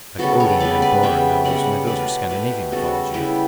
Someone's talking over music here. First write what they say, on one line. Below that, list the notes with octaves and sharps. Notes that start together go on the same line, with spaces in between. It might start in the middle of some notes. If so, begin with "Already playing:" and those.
Like Odin and Thor and those, only those were Scandinavian Mythology.
C#3 G3 B3 F#4 A4
A4 C#5
C#3 G3 B3 B4 D5
B4 D5
C#3 G3 B3 E5 G5
C#3 G3 B3 D5 F#5
B2 A3 B4 D5
B2 A3 G4 B4
C#3 G3 B3 F#4 A4
C#3 G3 B3 E4 G4